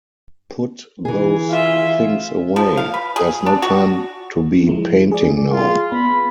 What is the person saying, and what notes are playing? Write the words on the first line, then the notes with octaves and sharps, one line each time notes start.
Put those things away, there’s no time to be painting now.
E3 G#4
F4 E5
F3
F5
B4
G#4
D4
F#4
F3 G#3 E4
G#4 D5
F4
B3 B5